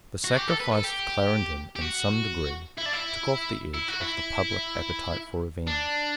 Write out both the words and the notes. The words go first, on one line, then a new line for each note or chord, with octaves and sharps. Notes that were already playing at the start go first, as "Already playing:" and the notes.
The sacrifice of Clarendon in some degree took off the edge of the public appetite for revenge.
F#4
G4
A4
B4
A4
G4
G4
F#4
E4
D4
E4
E4
F#4
E4
D4